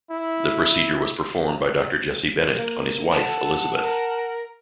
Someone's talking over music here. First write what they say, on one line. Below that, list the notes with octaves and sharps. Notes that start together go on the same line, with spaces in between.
The procedure was performed by Doctor Jesse Bennett on his wife Elizabeth.
E4
A#3
A4 F#5 A5
A#4